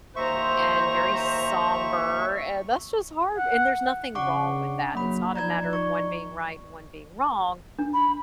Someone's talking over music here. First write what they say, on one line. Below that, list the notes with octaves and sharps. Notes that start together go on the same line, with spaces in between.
and very somber, and that's just hard and there's nothing wrong with that, it's not a matter of one being right and one being wrong,
D#2 C5 E5 A#5 C#6
F#5
C#3 D4 F#5 C#6 D6
F#3 A#3 B5
F3 D#4 D5 A#5 G6 G#6
C#6
D4
B5